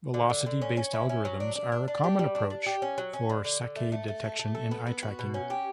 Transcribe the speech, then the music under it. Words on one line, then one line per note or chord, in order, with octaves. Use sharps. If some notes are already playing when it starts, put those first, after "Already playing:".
Velocity-based algorithms are a common approach for saccade detection in eye tracking.
D3
D3
D3
C#4
C#4
E4
C#4
F#3
D4
D4
D4
D4
G4
G3
D4
D4
G4
C#4
F#3
C#4
D3
D3
D3
A3
A3
A3
A4
A3
A4
B3
B3
F#4
B2
C#4
G4